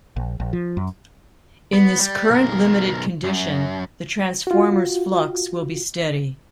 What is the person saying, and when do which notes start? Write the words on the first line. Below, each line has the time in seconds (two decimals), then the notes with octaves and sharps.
In this current-limited condition the transformer's flux will be steady.
0.16 A#1
0.40 A#1
0.53 F3
0.77 F#2
1.73 B3
1.99 G3
2.30 B1 A#4
3.24 F#2
4.47 F4 F#4